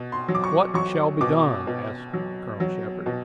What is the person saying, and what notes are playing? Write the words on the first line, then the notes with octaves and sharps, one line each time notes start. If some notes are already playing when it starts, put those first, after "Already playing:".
"What shall be done?" asked Colonel Shepard.
Already playing: B2
C6
F#3
D6
C#6
F#3 C#6
B2 D6
B2
F#3
F#3
B2